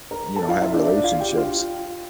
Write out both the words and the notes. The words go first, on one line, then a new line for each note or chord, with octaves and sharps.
you know, have relationships.
A#4 A#5
A4 A5
F4 F5
E4 E5
D4 D5
D4 D5
F4 F5
G4 G5
F4 F5